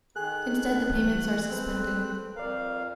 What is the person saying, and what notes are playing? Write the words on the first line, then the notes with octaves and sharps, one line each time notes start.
Instead the payments are suspended.
D#3 G#4 A4 G#5 F#6
E3 G3 A3
C4 G#4 A4 B4
F2 A#4 D5 F5